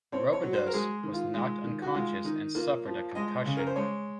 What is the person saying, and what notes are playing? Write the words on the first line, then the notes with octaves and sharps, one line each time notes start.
Robidas was knocked unconscious and suffered a concussion.
C4 C#5
C#5
F#3
C5
A#4
G#3 G#4
D#3
F4
G#3
D#3
F#4
G#3 F4
D#3 D#4
A#3 F4
F3
G#3 D#5
C#3
A#4
C5
G#3 C#5